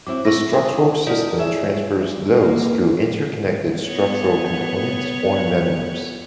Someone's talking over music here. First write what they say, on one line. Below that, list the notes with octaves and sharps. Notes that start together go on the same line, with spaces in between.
The structural system transfers loads through interconnected structural components or members.
F#3 C4 E4 D6
E4 C#6 A#6
B3 D4 G#4
E4 F4 A#4 D5 D#5
G#4 C#5 E5
A#3
B3 C#5